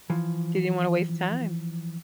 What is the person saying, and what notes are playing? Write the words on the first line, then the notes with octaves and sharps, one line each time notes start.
She didn't wanna waste time.
E3 F3